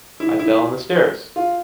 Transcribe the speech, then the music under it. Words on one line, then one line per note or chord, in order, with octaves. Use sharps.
I fell in the stairs.
E4
E4
F4